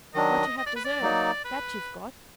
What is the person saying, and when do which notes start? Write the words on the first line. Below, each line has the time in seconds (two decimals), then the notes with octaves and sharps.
What you have deserved, that you've got.
0.14 D#3 F#3 D4 D#5
0.58 D#5
0.66 D5
0.76 B4
0.85 D5
1.01 F#3 A#3 D#4
1.45 B4